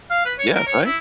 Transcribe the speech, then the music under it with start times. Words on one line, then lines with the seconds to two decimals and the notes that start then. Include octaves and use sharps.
Yeah, right?
0.11 F5
0.26 B4
0.39 C#5
0.55 A#4
0.67 C#5
0.86 E4